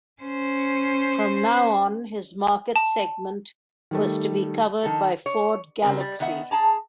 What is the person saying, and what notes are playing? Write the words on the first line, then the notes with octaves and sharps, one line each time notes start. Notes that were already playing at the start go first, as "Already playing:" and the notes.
From now on his market segment was to be covered by Ford Galaxy.
C#4 C5
A5
D#3 G3 A3
D#3 A4
C#5
C#3 E3 C4 A#4
G3
D#3 B3 E5 F#5
G#4 A5 A#5